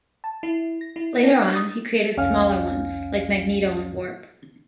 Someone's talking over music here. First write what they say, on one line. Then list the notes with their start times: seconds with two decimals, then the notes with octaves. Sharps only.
Later on, he created smaller ones -like Magneto and Warp.
0.24 A5
0.43 E4
0.81 A#6
0.96 E4
1.23 D4
1.55 D#6
2.17 C2 F2 C#4 F5 G#5 F6